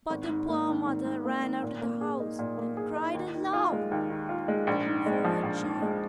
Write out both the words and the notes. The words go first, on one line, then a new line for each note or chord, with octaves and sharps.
But the poor mother ran out of the house and cried aloud for her child.
G#1
G#2
A#3
D#3
G#1
G#2
A#3
D#3
A#2
A#3
G#4
D#4
A#2
A#3
G#4
D#4
D#2
D#3
F4
G#3
D#2
D#3
F4
G#3
A#1
G#2
G#3
F3
A#1
G#2
G#3